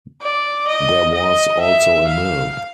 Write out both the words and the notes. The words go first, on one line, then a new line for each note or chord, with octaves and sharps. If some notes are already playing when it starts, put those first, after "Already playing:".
There was also a mill.
D5
D#5
D#5
E5
F5